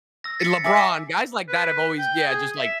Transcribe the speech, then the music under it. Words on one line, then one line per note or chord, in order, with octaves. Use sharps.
LeBron, guys like that have always yeah, just like,
E6 A#6
A6 B6 C#7
E5 G#5 D6 A#6
B4
G5
G#4
E5